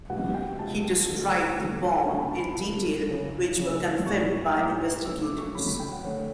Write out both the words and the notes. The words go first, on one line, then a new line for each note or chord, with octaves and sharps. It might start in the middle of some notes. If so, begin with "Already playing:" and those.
He described the bomb in detail, which were confirmed by investigators.
C#2 B2 G3 F#5
G5
C#2 B2 G3 A5
E2 D3 A3
E2 D3 A3
C#2 B2 F#3 A3 C#6
B5
A5
B5
C#2 B2 F#3 A3
F#1 F#2 C#3
F#1 F#2 C#3
B1 A2 E3 G3 C#6
B1 A2 E3 G3 D6
F#2 C#3 F#3 A3 E6
D6
C#6
F#2 C#3 F#3 A3 B5
B5
G5
F#5
F#2 D3 A3 C#5